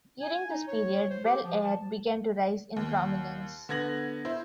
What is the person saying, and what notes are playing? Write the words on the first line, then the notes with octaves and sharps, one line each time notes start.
During this period, Bel Air began to rise in prominence.
G#5
D#4
C#5
C5
G4
F3
A5
D#2
D3 B3 G#6 A#6 F#7
E4 C5